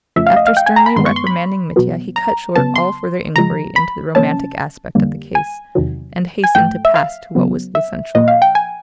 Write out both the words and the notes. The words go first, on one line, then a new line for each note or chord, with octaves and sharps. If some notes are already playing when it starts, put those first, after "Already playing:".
After sternly reprimanding Mitya, he cut short all further inquiry into the romantic aspect of the case, and hastened to pass to what was essential.
F2 C#3 F3 A3 E5
F5
D#5
F5
G5
G#5
A#5
B5
G2 D#3 G#3 B3 C6
C#6
C6
B5
B2 F#3 B3
A#5
C#3 F#3 B3 A5
C6
C#3 F3 G#3 A#5
B5
C3 F3 A#3 C#4 A5
F2 D3 G3 A#3
G#5
E2 C3 D#3 F#3
G#5
G#2 F3 A3 G5
E5
F5
C#3 F#3 B3
E5
A#2 F3 A#3 D#5
F5
G5
G#5